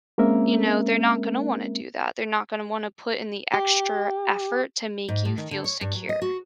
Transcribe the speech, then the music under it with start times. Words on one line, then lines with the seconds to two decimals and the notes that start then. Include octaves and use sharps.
you know, they're not gonna wanna do that, they're not gonna wanna put in the extra effort to make you feel secure
0.18 G#3 A#3 C4 C#4 A#4 E5
3.54 G4
5.09 G#2
5.25 A2
5.38 D#3
5.51 D3
5.64 C#5
5.81 G2
5.95 F#3
6.09 D#5
6.22 F#4